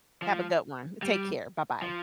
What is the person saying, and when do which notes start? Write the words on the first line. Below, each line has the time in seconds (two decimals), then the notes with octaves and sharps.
Have a good one. Take care. Bye-bye.
0.22 F3
1.02 G3
1.82 F3